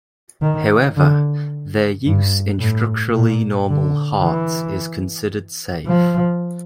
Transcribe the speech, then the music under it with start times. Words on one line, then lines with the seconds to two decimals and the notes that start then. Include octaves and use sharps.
However, their use in structurally normal hearts is considered safe.
0.42 D#3
0.96 D3
2.06 G2
2.60 A2
3.14 A#2
3.69 D3
4.23 E3
5.86 F3